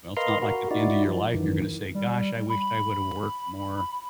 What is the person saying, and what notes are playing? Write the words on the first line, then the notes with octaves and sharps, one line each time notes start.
Well, it's not like at the end of your life, you're gonna say, "Gosh, I wished I would have worked more."
A#4 B4 D#5 F5 C6 F6
F#4 A#4
D#4 E4 F#4 D5
F3
F#2 D#3 E3
G3
B5